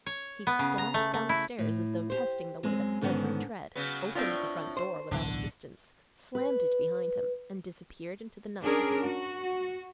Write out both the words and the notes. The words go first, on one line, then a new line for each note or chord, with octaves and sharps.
He stamped down the stairs as though testing the weight of every tread, opened the front door without assistance, slammed it behind him and disappeared into the night.
C#5
B3
C#3
A#5
A3
A3
E4
A2
G4 C5
F#2 G#3 C4
G#2 D3 D#3 B3 C#4
C#3 F#3 B3
A2 C4 D4 F4
C5
D1 B1 D3 E3 D4
B4
C#4 D4 G#4 A#4
F#4